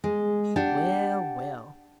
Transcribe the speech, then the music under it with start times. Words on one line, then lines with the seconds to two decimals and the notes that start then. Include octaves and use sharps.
Well, well.
0.04 G#3
0.56 D4 G4 F#5